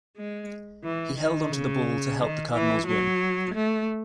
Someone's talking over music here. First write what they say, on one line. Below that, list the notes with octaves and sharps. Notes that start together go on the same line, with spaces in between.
He held on to the ball to help the Cardinals win.
G#3
E3
D#3
C#3
D#3
E3
F#3
A3